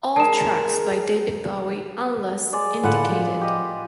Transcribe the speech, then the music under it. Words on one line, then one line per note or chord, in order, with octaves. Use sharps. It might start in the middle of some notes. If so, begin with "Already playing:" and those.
All tracks by David Bowie unless indicated.
G#3 A#4 A5 E7
G#3 D5
A2 D3 F4 B4 F#5
F3
G4 D#5